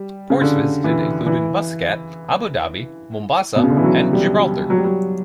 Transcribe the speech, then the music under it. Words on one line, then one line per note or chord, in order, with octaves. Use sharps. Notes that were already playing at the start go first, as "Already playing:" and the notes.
Ports visited included Muscat, Abu Dhabi, Mombasa and Gibraltar.
Already playing: G3
C#3
D3
E3
E3
B2
C#3
D3
E3
F#3
G3
G3
F#3
G3
F#3